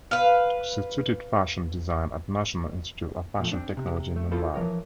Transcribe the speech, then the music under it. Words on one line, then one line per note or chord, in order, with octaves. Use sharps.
She studied fashion design at National Institute of Fashion Technology in Mumbai.
B4 F5
A#2 F3 A3
C4 D4
C3
A3
E4 F4 A4 C5 B5
E3 F3 A#4 C#5